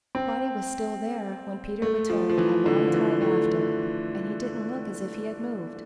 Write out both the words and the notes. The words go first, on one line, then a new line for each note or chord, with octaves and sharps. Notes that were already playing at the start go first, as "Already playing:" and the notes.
Spotty was still there when Peter returned a long time after, and he didn't look as if he had moved.
C4
A3
F3
F3
E3
D3
F3
E3
A3